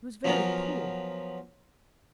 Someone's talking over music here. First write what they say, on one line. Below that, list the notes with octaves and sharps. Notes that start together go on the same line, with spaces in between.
He was very poor.
F3 F#3 B3 C#4 F4 A#4